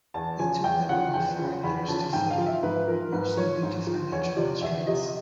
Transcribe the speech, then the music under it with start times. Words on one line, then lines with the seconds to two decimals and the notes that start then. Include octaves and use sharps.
It took them about five years to film, mostly due to financial constraints.
0.14 E2 A5
0.39 C#3 F3 G#5
0.64 E2 G5
0.89 C#3 F3 F#5
1.14 E2 G5
1.39 C#3 F3
1.63 E2 B5
1.88 C#3 F3 A5
2.13 G#2 G5
2.30 F5
2.38 F3
2.46 E5
2.63 G#2 B4
2.88 F3 A#4
3.12 G#2 B4
3.37 F3 C#5
3.63 G#2 C5
3.87 F3
4.12 E2 C#5
4.37 C3 F3 D5
4.61 E2 E5
4.87 C3 F3 D#5